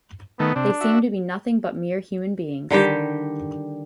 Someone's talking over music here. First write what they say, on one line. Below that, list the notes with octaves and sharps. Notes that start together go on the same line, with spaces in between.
They seem to be nothing but mere human beings.
D#3 A3 B3
C3 D4
F#4 E5
D3 D#3 G3 G4